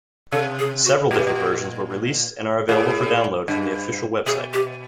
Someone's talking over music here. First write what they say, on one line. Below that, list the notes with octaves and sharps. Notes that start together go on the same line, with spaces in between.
Several different versions were released and are available for download from the official website.
C3 A4
G#4
F#4
A#2 G4
B2
A#2
A2 G#4
G2
B2 G#4
G4